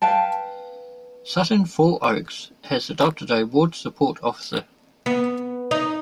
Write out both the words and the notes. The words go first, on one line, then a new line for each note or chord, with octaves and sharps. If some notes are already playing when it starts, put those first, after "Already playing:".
Sutton Four Oaks has adopted a Ward Support Officer.
B4 F5 G5 A5
B3
D#4